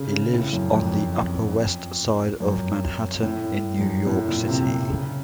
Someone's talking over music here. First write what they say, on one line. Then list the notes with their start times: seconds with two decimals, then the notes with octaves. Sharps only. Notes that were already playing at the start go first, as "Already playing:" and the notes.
He lives on the Upper West Side of Manhattan in New York City.
Already playing: C#3
0.12 C#3
0.33 A2
0.53 F#2
0.74 F2
2.40 F#2
3.23 A2
3.79 F#2
4.06 A2
4.28 A#2
4.48 C3
4.89 C#3